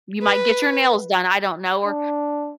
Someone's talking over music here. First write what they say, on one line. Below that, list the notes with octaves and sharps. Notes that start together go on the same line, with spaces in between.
you might get your nails done, I don't know, or
B4
D4